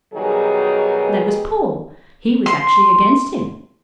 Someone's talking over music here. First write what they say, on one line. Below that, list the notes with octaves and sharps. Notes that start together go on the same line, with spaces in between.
There was Paul; he was actually against Him.
B2 D#3 F#3 G3 G#4
C6